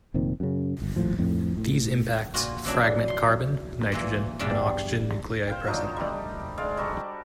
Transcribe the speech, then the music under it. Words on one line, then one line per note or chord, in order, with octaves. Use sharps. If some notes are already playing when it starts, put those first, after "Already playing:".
These impacts fragment carbon, nitrogen, and oxygen nuclei present.
F1 A#2 D#3 C4
F#2 C#3
G1
D#1 A2 F3
F2 A2
A2
A#2 F4 F#4
E3 F#3 D4 E4
C6
A#2 E3 A#3
E2 G2 G3 D4 A5
C5 F5 G5
F3 F#3 D4 D#4
G3 A3
G#3 D5 F5
G3 F#4 A4 A#5